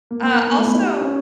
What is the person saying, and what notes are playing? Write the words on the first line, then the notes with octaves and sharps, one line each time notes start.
Uh, also
A#3
A#3
A#3
B3
A3
B3
D#4
G4
C#4